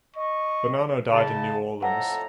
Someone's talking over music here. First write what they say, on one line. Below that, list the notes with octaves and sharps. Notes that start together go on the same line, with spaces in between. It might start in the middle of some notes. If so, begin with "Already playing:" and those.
Bonano died in New Orleans.
D#5 C#6
G#2 C#3 A5
F2 A2 A4 F#5 A#5